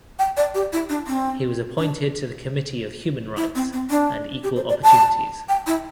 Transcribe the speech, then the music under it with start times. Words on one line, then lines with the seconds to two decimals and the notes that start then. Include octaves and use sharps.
He was appointed to the committee of human rights and equal opportunities.
0.19 G5
0.37 D5
0.54 G4
0.73 E4
0.89 D4
1.07 C4
1.79 D4
3.37 E4
3.55 C4
3.73 C4
3.90 D4
4.44 G4
4.56 C5
4.69 D5
4.83 A5
5.49 G5
5.67 E4